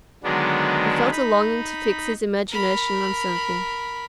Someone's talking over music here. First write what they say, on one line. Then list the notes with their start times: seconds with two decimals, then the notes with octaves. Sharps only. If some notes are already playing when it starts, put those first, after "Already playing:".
He felt a longing to fix his imagination on something.
0.24 D3 D#3 F#3 G#3 B3 D4
1.11 D#4 B5
2.50 A#4 B5